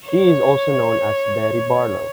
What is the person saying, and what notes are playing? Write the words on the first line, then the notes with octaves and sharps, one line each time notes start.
She is also known as Betty Barlow.
C#5